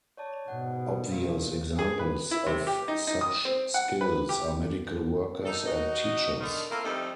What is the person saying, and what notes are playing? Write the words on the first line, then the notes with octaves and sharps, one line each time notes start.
Obvious examples of such skills are medical workers and teachers.
C#5 D5 A5
G#2 B2 F#5
A#3 A#4 F5
G#4
B4
E4
C3
G4
D#4
D#4
D#6
C4
F#5
B4
G4
D#4 A4
D#4 F#4 D#5
D3 D#3
A#3 C4 E4 F4 A4
F2 G3 A3 C4 D#4